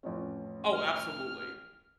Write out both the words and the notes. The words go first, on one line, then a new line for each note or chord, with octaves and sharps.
Oh, absolutely.
A1 F2 C#4
F6